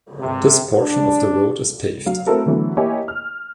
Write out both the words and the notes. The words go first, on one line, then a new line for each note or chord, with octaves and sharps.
This portion of the road is paved.
C3
D4
F#3 F5
A3 C4 E4 F#4 A4 A#4
D3 E3 F#3 A3 B3
A#3 E4 G4 C#5 D#5 G#5
F6